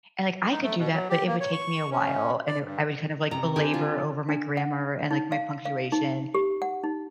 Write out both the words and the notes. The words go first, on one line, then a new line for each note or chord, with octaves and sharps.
and like I could do that, but it would take me a while, and it I would kind of, like, belabor over my grammar, and, like, my punctuation.
D#4
A3
B2
F#3
G4
A#3
C#5
C#6
C#4
D5
G2
C3 A#5
D3 C4 G4 G#5
F4
D4
F#5
D#4
F5
F5
D#4
G4
F#5
D#4